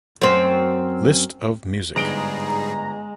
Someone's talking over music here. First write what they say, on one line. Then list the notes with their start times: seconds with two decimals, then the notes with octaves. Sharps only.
List of music.
0.21 F#2 C4
1.96 G1 G#2 G3 G#3 G#4 A#5 D7 G7